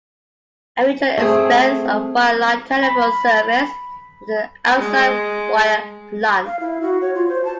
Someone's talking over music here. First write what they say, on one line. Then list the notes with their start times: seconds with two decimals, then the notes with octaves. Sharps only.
A major expense of wire-line telephone service is the outside wire plant.
1.17 A3 C4 G#4
2.83 B5
4.76 G#3
6.46 F5
6.60 E4
6.81 F#4
7.01 C#5
7.15 F4
7.29 C5
7.45 A5